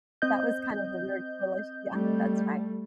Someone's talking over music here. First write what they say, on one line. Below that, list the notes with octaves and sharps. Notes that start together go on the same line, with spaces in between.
that was kind of a weird push. Yeah, that's right.
C4 D#5 G6
G3 A3